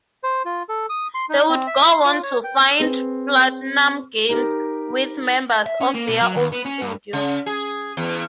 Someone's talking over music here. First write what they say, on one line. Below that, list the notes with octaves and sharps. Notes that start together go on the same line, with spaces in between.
They would go on to found PlatinumGames with members of their old studio.
C5
F4
A4
D#6
C6
D#4
C4
E5
C6
F4
C#5
G5
C4 G#4 B4
D#4 G4 A#4
E5
C#4
A#3
B2
F#3
D#2
B3
C#4
G2
C#3
G#4
E2